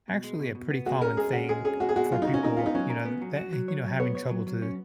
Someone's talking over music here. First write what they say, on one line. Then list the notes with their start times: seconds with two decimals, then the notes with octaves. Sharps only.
actually a pretty common thing for people, you know, that, eh, you know, having trouble to
0.08 B2
0.24 G#3
0.39 B2
0.55 B2
0.71 B3
0.86 G#3 F#4
1.02 C#4 A#4
1.17 G#3 G#4
1.33 C#4 F#4
1.49 G#3 G#4
1.65 C#4 G#4
1.80 G#3 F#4
1.89 G#4
1.96 G#3 F#4
2.12 F#3 F4
2.22 D#4
2.27 F#4
2.34 C#4
2.43 D#4 A#4
2.57 B3 F4
2.66 D#4
2.74 F#3 C#4
2.90 A#4
3.05 B3
3.21 F#3
3.37 F#4
3.53 F#3
3.68 C#5
3.84 F#3
4.00 B3 C#5
4.15 C#5
4.31 F#3
4.47 F#3
4.62 C#4